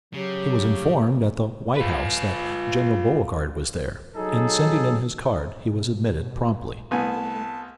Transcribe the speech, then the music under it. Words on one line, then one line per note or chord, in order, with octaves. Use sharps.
He was informed at the "White House" that General Beauregard was there, and sending in his card he was admitted promptly.
C#3 F#3 G4
F4 B4
F#3 D#4 G#4 A4
B2
C2 A3 B3 G#5 A5